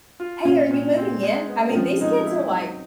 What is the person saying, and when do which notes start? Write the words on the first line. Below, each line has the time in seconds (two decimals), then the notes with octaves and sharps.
"Hey, are you moving in?" I mean, these kids are, like,
0.20 F4
0.45 A#2 C#4
0.71 A#2
0.97 C4
1.23 G#3
1.48 B3
1.70 C4
1.75 F3 C#4
2.01 G#3 D#4
2.26 E4
2.52 F#3